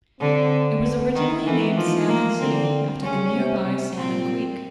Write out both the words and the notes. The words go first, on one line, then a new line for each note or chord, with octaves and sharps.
It was originally named Salmon City after the nearby Salmon Creek.
D3 C4
B3
D#3
E3 A3
D#3 F3
A#3
D3 C4
C#3 C#4
C3
C3
A#2 C4